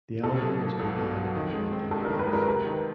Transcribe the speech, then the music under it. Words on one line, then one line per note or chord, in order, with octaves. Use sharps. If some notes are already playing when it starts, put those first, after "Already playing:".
The album was compiled by Randall Grass.
B2 A4
F#3
A#3
B1 A4
B2
F#3
D#3
G#3
C4
G2 A4
D#3 A#4
B4
G#3
A#4
C3 A4
D#3